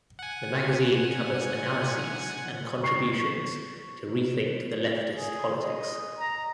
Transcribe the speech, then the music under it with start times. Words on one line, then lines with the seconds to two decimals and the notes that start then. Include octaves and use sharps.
The magazine covers analyses and contributions to rethink the leftist politics.
0.19 F#5 G#5
2.83 C#6 C7
5.16 G#4
5.62 D#5
6.19 A#5